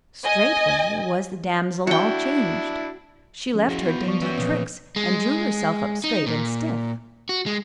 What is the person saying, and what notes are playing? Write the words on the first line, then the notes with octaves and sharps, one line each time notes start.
Straightway was the damsel all changed; she left her dainty tricks, and drew herself up straight and stiff.
D#5 G#5
D4 E4 F#4 G5
F3 C#4 G#4
E4 F#4
B3 B5 G6
F3 B3 D5 C#6
E3 C#4 F#4 C#5 G5
A#2 C#3 F3
G#3
D#4
A#2
F#4
G#3